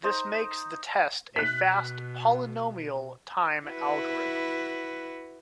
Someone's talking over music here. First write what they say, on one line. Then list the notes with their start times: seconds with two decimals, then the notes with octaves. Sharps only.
This makes the test a fast polynomial-time algorithm.
0.03 D#4 C5 A#5
1.36 B2 F#6 B6
3.66 E4 F#4 B4